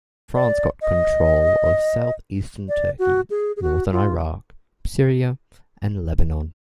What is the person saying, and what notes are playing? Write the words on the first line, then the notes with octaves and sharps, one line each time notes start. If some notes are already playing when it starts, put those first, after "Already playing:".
France got control of southeastern Turkey, northern Iraq, Syria and Lebanon.
D5
D#5
D5
F#4
G#4
G#4
F#4
F4